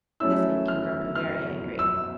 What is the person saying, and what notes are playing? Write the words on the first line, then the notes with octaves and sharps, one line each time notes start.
This made King Grumpy very angry.
F#3 A3 C#4 E4 E6
F6
F6
E6